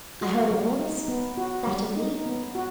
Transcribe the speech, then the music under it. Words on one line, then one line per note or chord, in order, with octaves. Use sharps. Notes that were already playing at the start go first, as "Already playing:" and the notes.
I heard a voice, that of Leo.
F#4
G3
D#4
B3
F#4
G3
D#4
B3
F#4